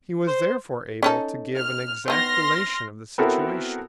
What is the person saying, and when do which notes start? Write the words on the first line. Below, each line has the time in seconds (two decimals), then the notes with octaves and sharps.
He was therefore able to give an exact relation of the situation.
0.27 C5
1.03 C#4 D#4 A4
1.58 F6
2.08 D#3 B3 C6 F6 A#6
3.18 B3 C4 E4 F#4 A4 A#4